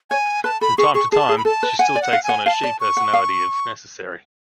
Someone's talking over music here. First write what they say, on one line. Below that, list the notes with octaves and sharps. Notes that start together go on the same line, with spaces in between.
From time to time, she still takes on her Shi personality if necessary.
C#5 G#5
B4 A5
A4 B5
G#4 C#6
G#4 C#6
G#4 A5
G#4
B5
A4 A5
B4
F#5 G#5
D5
F#5
F5
G#5
F#5
F5 A5
D5
C#6
F#5
F5